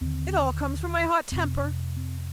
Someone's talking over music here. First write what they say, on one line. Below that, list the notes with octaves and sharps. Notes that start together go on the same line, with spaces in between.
'It all comes from my hot temper!
D#2 D3 C4
F2 C3 C4
C4